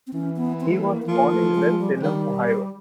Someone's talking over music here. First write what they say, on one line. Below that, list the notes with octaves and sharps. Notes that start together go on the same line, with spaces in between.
He was born in West Salem, Ohio.
C4
E3 C#4
B3
C4
G#3
A3
A#3
B3
F3 A#3
A3
G#3
A3
G#3
G3
G#3
D#3 G3